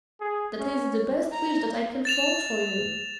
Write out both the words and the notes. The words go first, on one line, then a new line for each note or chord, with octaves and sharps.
That is the best wish that I can form for you.
G#4
C#4
A#5
A6 E7 F7